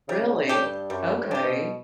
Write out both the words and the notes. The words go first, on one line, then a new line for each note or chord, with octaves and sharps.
Really? Okay.
C#3 G3
A2
B2
A2 D4 G4
G2
F#2 G3
G2
A2
G2 D4 G4
B2